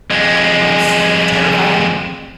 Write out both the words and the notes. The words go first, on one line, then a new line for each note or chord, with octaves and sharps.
That's terrifying
F2 G#3